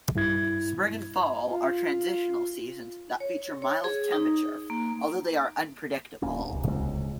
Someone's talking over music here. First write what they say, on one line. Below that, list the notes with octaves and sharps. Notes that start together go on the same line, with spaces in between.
Spring and fall are transitional seasons that feature mild temperature although they are unpredictable.
G2 E4 G#6
F4
C#5
C#5
G#4
D#4
A#3
D1 A#3 C#4
D1 C2
C#2